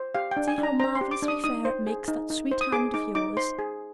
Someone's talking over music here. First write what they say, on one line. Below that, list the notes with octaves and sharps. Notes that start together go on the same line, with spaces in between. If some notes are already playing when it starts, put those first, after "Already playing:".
See how marvelously fair it makes that sweet hand of yours.
Already playing: C5
G4 F5
G5
D4
G#5
D4
A#5
C5 A#5
C6
G4
D6
D4
D#6
D#4 D#6
C5
G#4
D#4
D#4
C5
D#6
G#4 D6
D#4 D6
D#4 D6
C5 C6
G#4